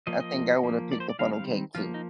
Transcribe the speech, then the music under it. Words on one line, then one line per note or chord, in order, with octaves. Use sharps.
I think I would've picked the funnel cake too.
F3 A#3 D#5
D#5
F3 A#3
D5
C5
D5
D#3 G3 C4 F5
F5
F3 A#3 F4
D#4